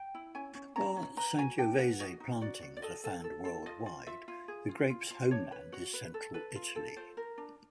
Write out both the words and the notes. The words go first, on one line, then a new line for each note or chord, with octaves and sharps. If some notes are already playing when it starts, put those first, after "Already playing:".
While Sangiovese plantings are found worldwide, the grape's homeland is central Italy.
Already playing: G5
E4
C#4 G#5
C#4
C#4 A#5
C#4
B4 A#5
F#4 G#5
D4 G5
B4 F#5
F#4 D#5
D#4
F#4 D5
F#4
D5
A4 D#5
A4
A4
A4
F4 D#5
F4
F4 E5
F4
G#4
F4
F4
F4
D4 C#5
B4
F#4
B4
A4
A4 B4
F4
A4
F4 C5
A#4
D4